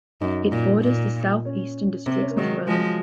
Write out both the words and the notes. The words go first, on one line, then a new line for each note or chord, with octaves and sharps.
It borders the southeastern districts of Berlin.
F#2 D#4
A#2
A#2
C#4
C3 C4
C#4
A#3
D#3 F#3 G#3
F#3
F3 F#3 G#3